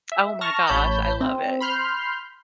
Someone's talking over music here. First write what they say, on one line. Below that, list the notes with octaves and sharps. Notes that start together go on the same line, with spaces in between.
Oh my gosh, I love it.
E5
A5 C#6 F6 A#6
A1 C#5 A5 B5 G6
C4
B5 C6 F6 G6 C7